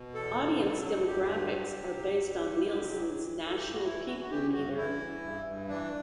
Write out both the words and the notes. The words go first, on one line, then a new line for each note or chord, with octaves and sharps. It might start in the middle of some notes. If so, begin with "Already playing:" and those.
Audience demographics are based on Nielsen's national People Meter.
Already playing: B2
E2 A4
B2
F#3
E2
G2 G4
D3
F#3
F#3
G2
G2
D3
F#3
E3
E3
E3
A4
G2 G4
F#4
E3 E4
E3 F#4
F#4
E3 G4
G2 F#4
E3 E4
E3
G2
G2
E3 D4